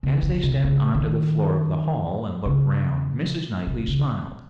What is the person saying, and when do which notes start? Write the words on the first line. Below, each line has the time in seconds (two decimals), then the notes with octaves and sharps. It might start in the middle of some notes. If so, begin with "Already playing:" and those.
As they stepped on to the floor of the hall and looked round Mrs. Knightley smiled.
0.03 C#3
0.23 D3
0.43 C3
0.64 C#3
0.94 D#3
2.46 C#3
3.67 C3
3.87 C#3